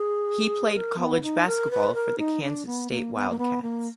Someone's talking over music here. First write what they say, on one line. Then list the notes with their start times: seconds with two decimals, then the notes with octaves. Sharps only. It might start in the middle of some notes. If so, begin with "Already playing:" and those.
He played college basketball for the Kansas State Wildcats.
Already playing: G#4
0.74 A#4
0.98 B3
1.22 D#4
1.46 A#4
1.70 B4
1.94 A#4
2.18 D#4
2.42 D4
2.66 B3
2.90 A#3
3.14 B3
3.30 A#3
3.38 B3
3.62 A#3